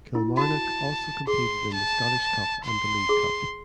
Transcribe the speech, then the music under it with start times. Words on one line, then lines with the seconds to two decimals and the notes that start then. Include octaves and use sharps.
Kilmarnock also competed in the Scottish Cup and the League Cup.
0.15 E4
0.37 F#4 A5
1.27 G#4 C6
1.74 A5
2.64 C6
3.09 G#4